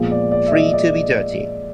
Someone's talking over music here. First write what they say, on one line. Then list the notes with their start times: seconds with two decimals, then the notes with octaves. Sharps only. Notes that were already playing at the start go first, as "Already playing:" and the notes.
Free to Be Dirty!
Already playing: A#2 F3 G#3 B3
0.11 D5
0.32 D5
0.46 E5
0.52 D#5
0.73 D5